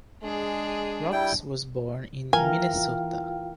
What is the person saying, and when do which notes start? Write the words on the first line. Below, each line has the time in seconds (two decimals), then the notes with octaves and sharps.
Roux was born in Minnesota.
0.23 G#3 D4 G#4
1.12 G3 E4 G5
2.33 E3 F4 A#4 F5 G5 G#5